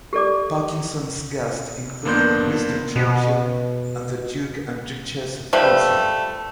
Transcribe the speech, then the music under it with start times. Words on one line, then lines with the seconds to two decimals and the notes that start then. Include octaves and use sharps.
Parkinson's guests included Winston Churchill and the Duke and Duchess of Windsor.
0.13 G4 A4 D5 D6
2.05 F2 A#3 B3 D4 C6 G6
2.96 B2
5.53 F3 G3 A3 B4